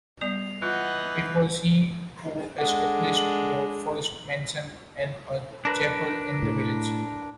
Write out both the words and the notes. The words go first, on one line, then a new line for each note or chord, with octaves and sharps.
It was he who established the first mansion and a chapel in the village.
G3 B3 D5 C7 F7
E3 F4 D#5 F#5 F#6 G6
G#3 D4 A4 F#5
D4 A#4 B4
A2